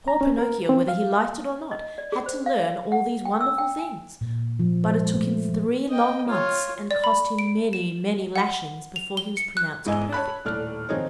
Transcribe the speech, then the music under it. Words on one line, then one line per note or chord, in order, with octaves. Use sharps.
Poor Pinocchio, whether he liked it or not, had to learn all these wonderful things; but it took him three long months and cost him many, many lashings before he was pronounced perfect.
A#5
C#4
A#4
C4
F5
D#5
D5
G#4
C5
F5
F#5
G5
E6
G5
G#5
A#2
F3
C5
G#3
A3
F3
D#5 G5
F4 C#5
D5
B5
D7
E7
F#5
F7
G7
C#7
F#6
E2 G#2 E4 D#5 G#5 E6
C#5 A5 B5 F#6
D#1 A2 D5 F6
D#3 F3 C4 D#4 G#4 C#5